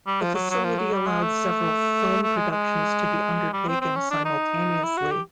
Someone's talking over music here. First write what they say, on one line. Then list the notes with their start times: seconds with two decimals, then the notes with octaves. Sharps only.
The facility allowed several film productions to be undertaken simultaneously.
0.07 G3
0.21 F3
0.35 F#3
0.50 F#3
0.64 F3
0.78 F#3
0.93 G3
1.07 G#3
1.22 A3
2.23 A3
2.37 G#3
2.51 G#3
3.53 G3
3.68 C4
3.81 C4
3.96 C#4
4.11 D4
4.25 D#4
4.83 E4
4.97 F#4
5.11 G4